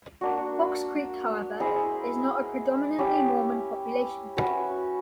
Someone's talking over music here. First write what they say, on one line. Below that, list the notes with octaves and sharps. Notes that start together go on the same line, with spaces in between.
Fox Creek, however, is not a predominantly Mormon population.
A#3 D4 F#4
E4 G#4 C5 D#5
C#4 E4 G4
C#4 F#4 B4 E5